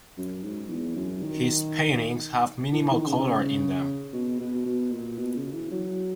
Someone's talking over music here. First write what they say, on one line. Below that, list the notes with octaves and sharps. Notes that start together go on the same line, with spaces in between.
His paintings have minimal color in them.
F#2
G#2
E2
F#2
D#3
E3
D#3
C#3
B2
B2
B2
A#2
B2
C#3
E3
F#3